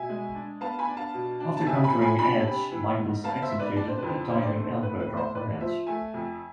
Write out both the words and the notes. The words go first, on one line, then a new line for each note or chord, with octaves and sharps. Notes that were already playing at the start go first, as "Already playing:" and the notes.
After countering Edge, Michaels executed a diving elbow drop on Edge.
Already playing: B2 E5 G#5
G#3
D4
B3 F5 A5
G#5 B5
D4
F5 A5
B2
D4
A5
C3 E5 G#5
G#5 B5
F3
G#5 B5
D4 G#5 B5
C3
E3
G#2
B3 F5 A5
C5 E5
G#2
B4 D5
D4 D5
C5
F2 B4
C5
D3 C5
D5
C5
A3
C5
A2 B4
B4
A2
C5
A2 B4 D5
F3 C5 E5
A3 E5 G#5
F2